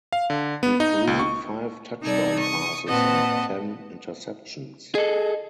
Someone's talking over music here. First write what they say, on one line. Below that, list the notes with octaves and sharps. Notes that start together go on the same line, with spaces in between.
He threw five touchdown passes and ten interceptions.
F5
D3
B3
D#4
C#2
C#6
C3 G3 D#4 A4 D5 G#6
C#6 D#6
A#2 C4 B4 D#5 F#5 A5
G#4 A4 D#5